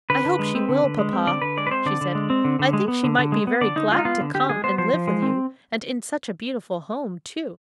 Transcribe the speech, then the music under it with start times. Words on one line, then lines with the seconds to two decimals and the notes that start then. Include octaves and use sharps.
"I hope she will, papa," she said; "I think she might be very glad to come and live with you; and in such a beautiful home, too."
0.10 D3 B4
0.25 D3
0.39 G#3
0.55 C4
0.69 D3
0.84 D3
0.99 G#3
1.13 C4
1.27 D3 D5
1.42 D3 B4
1.57 G#3 D5
1.67 B4
1.71 C4 C5
1.85 D3 D5
2.01 D3
2.15 G#3
2.30 C4
2.45 D3
2.59 D3
2.73 G#3
2.88 B3
3.04 D3
3.18 D3
3.32 G#3
3.47 B3
3.61 D3 D5
3.76 D3 D#4
3.91 G#3 F4
3.99 D#4
4.05 B3 F4
4.21 D3
4.34 D3 G4
4.49 G#3 G#4
4.64 B3 C5
4.78 F3 C5
4.93 F3
5.08 G#3
5.22 C4